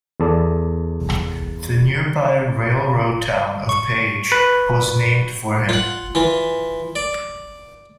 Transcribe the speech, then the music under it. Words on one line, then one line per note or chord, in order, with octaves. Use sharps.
The nearby railroad town of Page was named for him.
E2 A4 D5
C#6
B4
F4 F#5
E3 F4
D5